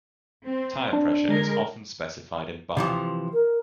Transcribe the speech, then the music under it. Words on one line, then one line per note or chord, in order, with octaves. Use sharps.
Tire pressure is often specified in bar.
C4
D4
D3 G#3 A#4
C3 E3 F3
A#4